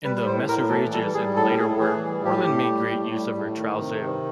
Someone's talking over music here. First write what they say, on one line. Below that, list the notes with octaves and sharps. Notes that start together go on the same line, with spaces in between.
In the "MesuRages," and in later work, Orlan made great use of her "Trousseau".
G3 B4
A2 C5
A2 A#4
E3 A4
G3 A4
G3 G#4
A2 A4
A2 G#4
E3 G#4
G3
A2 G4
A2
G3
A2
G3
A2
D#3
C3
D#3